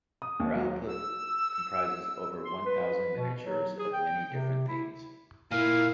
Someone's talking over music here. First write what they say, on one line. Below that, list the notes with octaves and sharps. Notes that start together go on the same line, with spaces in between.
Her output comprises over one thousand miniatures of many different themes.
D#6
D#2
F#3
E6
C6
B4
B2
F#3
G#4
G5
C3
E4
A#2 A#3 E4 F5